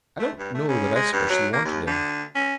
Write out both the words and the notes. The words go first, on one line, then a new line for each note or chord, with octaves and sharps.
I don't know that I specially wanted him.
A3
G2
A3
C#3
G#3
G2
F#3
A#3
D#2
D3
C#4